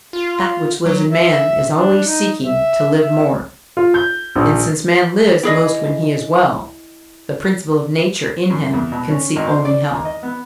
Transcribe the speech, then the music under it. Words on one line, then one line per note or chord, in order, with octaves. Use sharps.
That which lives in man is always seeking to live more; and since man lives most when he is well, the Principle of Nature in him can seek only health.
F4
F#3
E5
D4
D#4
E5
E5
F4
G6
A#1
E4 G#4 D#5
F#2
E2
B2
C#4
G#1
C5
D5
D#2
D#5
B3